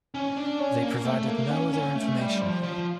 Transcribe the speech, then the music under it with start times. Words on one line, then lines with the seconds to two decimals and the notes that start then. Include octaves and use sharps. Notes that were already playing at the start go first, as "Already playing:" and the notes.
They provided no other information.
0.14 C#4
0.37 D4
0.59 C#4
0.83 A#3
1.05 A3
1.27 A#3
1.50 C#4
1.73 C#4
1.95 A3
2.18 G3
2.41 F3
2.63 F3